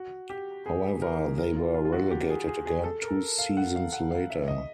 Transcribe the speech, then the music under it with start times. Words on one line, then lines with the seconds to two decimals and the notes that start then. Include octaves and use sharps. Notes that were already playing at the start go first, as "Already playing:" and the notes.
However, they were relegated again two seasons later.
Already playing: F#4
0.30 G4
0.66 G#4
1.02 A#4
1.38 A#4
1.57 F4
1.74 F4
1.85 F4
1.92 F#4
2.11 G4
2.30 G#4
2.47 G#4
2.66 G#4
2.84 A4
3.02 A#4
3.38 F5
3.57 F#5
3.76 F5
3.93 F#5
4.11 F5
4.30 E5
4.48 D#5